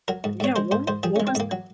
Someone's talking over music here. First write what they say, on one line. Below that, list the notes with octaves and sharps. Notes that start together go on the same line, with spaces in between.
Yeah. What what was
F#3 A#4
G#2
G#2 C#5
G#3 C5
G#2 C5
G#2 C5
F3 G#4
G#3 C#4
C4
G#2 A#3
F#3